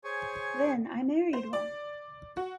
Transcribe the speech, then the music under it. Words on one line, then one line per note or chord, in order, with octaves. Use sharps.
Then I married one!
G#4 C5 C#5 G#5 C#6
C5
D5
F#4